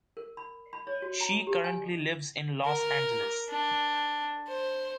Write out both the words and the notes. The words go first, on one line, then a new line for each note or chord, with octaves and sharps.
She currently lives in Los Angeles.
A#4
B5
B5
C#5
F#4
A#5
G4
G#5
A#4
D4
C5